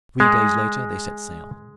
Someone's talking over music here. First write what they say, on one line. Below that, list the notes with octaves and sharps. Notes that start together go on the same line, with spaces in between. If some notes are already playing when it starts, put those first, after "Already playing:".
Three days later they set sail.
G#3